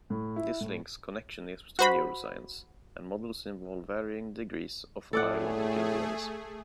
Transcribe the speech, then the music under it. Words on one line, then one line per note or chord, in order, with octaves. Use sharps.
This links connectionism to neuroscience, and models involve varying degrees of biological realism.
A2
E4
A2
F#4 C5 B5
A2 A3 G#4 A4 D5 F#5